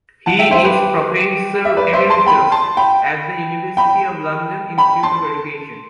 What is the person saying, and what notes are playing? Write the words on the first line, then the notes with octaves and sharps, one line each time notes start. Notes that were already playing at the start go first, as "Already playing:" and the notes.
He is Professor Emeritus at the University of London Institute of Education.
F#5 A5
E5 G5
C5 E5
G4 B4
E5
B4 D5
C5 E5
A5 C6
G5 B5
A5 C6
G5 B5
G5 B5
G5 B5
A5 C6